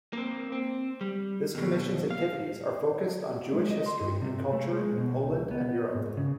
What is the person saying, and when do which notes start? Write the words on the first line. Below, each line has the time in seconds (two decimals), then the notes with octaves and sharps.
This Commission's activities are focused on Jewish history and culture in Poland and Europe.
0.13 A#3 C4
0.52 C4
1.01 G3
1.55 D#2 B2
2.10 F5
3.53 G#3
3.71 D#5
3.86 C6
4.00 G2
4.22 C3
4.53 A3
4.72 G#3
4.97 B2
5.22 C#2
5.51 B3
5.94 G#2
6.17 C#3